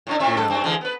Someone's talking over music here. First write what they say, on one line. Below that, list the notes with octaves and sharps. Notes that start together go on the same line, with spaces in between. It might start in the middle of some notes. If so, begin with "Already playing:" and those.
you know
A2 C4 D4
A2 C4 E5
F#2 A4
G2 C4
D3 E3 G#3
B3 B4